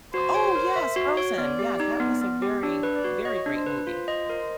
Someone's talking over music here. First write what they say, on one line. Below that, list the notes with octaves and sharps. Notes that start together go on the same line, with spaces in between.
Oh, yes, Frozen, yes, that was a very very great movie.
F#4 C5
C#5
A#4
E5
F#4
C#5
B3 D5
G4
D#4
B3
B3
G4
D4 C#5
B4
D5
F#4
C#5 D#5
D4
C5
B4
F4 C5
D#5
A#4